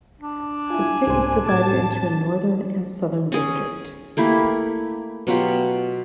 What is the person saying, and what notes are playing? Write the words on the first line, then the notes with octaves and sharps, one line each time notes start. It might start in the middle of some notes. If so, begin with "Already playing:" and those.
The state was divided into a Northern and Southern district.
D4
E4 F4 G#5
C2 G#2 C5
A2 A5 D6 G#6
C#4 G#4
A3 A#3 E4 G4
B2 F#3 F4 G4